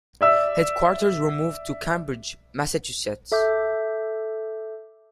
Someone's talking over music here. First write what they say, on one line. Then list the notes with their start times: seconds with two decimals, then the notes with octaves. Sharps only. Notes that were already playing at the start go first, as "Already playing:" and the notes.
Headquarters were moved to Cambridge, Massachusetts.
0.21 D5 E5 E6
3.32 A4 E5 D6 G6